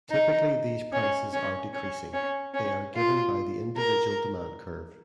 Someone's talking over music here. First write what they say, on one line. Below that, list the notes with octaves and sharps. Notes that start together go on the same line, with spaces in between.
Typically these prices are decreasing; they are given by the individual demand curve.
D#4
C#4
C#4
C#4
C#4
C#4
F4
A#4